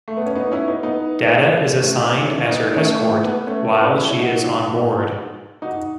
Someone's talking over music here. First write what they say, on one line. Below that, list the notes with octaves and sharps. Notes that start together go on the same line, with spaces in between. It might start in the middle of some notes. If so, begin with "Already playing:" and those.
Data is assigned as her escort while she is on board.
A3
B3
C#4
B3 D#4
D#4
C#4 E4
B3 D#4
B3 D#4
A3 C#4
B3 D#4
C#4 E4
B3 D#4
A3 C#4
A3
B3
A3 C#4
B3
A3 C#4
C#4 E4
C#4 E4
D#4 F#4
D#4 F#4